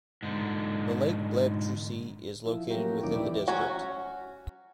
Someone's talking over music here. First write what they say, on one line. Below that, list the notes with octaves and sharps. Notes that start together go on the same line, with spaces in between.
The lake Bleibtreusee is located within the district.
G#2 D3
F3 E4
F3 F#3 A#3 C#4 G4 A#4
D#2 B2 D#3 E3 C#4 D6
E3 D4 E4 G4 B4 D5
F#3 C#4 F#4